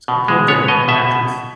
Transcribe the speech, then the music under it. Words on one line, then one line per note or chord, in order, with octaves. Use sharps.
s pumpkin patches.
B2
G#3
B3 C#5
B2 D#5
B2 E5